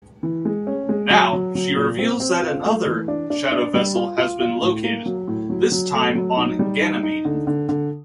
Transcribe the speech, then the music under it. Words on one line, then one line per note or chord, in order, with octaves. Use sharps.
Now, she reveals that another Shadow vessel has been located, this time on Ganymede.
E3
G#3
C#4
G#3
F#3
F#3
F#3
A#2
C4
C4
F4
A3
E3
D4
D4
D4
G3
F4
F4
F4
A2
A#3
F#3
A2
F#3
F#3
A3
F#3
D#4
G3
D#4
D#4
D3
D3
D3